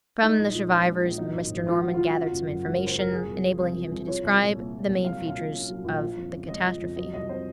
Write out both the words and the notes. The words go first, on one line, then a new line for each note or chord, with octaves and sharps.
From the survivors Mr. Norman gathered some information, enabling him to describe the main features of the catastrophe.
G#3 D#4
A#1
A#2
C#4
G#3
A#1
F#3 D#4
G#1
G#2
G#1 F4
F#3 F#4
G#1 F4
F#4
C#3
F4
F#1
F#2
G#3 F#4
C#3 A#4
C5
F#1 A#4
F3 G#4
C2
C3
C2 C5
F3
C2
F3 C#5
C2
A#2
A#3
F3
C2
F#3 F5
A#1
F5
A#2
C#4
F#3
A#1
F3
F2
C#3
G#3 D#5
F3
F2
F#3 D#5
C2 D#5
C3 C5